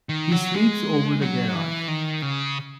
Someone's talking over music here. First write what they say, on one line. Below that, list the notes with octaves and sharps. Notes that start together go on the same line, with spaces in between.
He sleeps over the garage.
D#3
F#3
G#3
F#3
E3
D#3
C#3